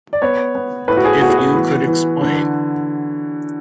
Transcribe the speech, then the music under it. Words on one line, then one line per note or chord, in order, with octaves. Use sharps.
If you could explain.
D5
B3 C#5
B3
A2 B4
F#4
G#4
B3 F#4
G#4
F#4
E3
E3
D3